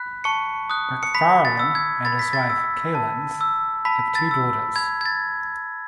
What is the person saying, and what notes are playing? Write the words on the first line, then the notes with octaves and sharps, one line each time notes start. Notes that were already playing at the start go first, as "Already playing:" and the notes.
McPharlin and his wife, Kalinz, have two daughters.
Already playing: B5 F#6 B6
A5 C#6 C#7
D#6 F#6
C#7
B5 B6
A6
E6
G#6
B5 A6
B6
A6
E6
A5
E6
A5 B5 B6
A6
E6
B5 G#6
G#6
A6